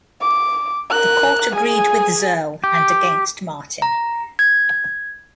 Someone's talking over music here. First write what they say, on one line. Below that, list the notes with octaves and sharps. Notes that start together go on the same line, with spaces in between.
The court agreed with Ziherl and against Martin.
D6
A#4 F#6
G#4 G#5
G4
A#5
G#6